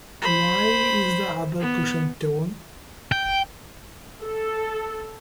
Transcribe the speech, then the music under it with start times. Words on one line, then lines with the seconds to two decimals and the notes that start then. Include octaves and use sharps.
Why is the other cushion torn?
0.21 C5 B5
1.59 B3
3.12 G5
4.23 A4